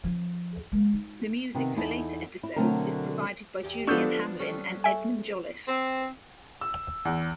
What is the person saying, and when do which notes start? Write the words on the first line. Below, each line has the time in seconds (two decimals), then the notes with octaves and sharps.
The music for later episodes is provided by Julian Hamlin and Edmund Jolliffe.
0.04 F3 C#4
0.72 G#3 A#3
0.94 D#4
1.55 C3 D#3 B3
1.76 E2 D#4 E4 A4
2.43 E4
2.56 B2 D3 F#3 A3 C4 A#4
3.63 E2 G4
3.87 D3 F3 B3 D4 A4 C#6 E6 G6
4.39 G3 C#4 A4
4.84 E5 G#5
5.68 C4
6.61 E6
7.05 E2